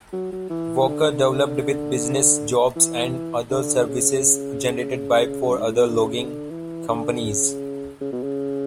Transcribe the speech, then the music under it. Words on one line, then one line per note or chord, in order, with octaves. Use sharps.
Walker developed with business, jobs and other services generated by four other logging companies.
F#3
F#3
E3
E3
D3
E3
D3
C#3
F#2
G#2
A2
B2
D3
C#3
C#3
D3
E3
D3
C#3
C#3
B2
C#3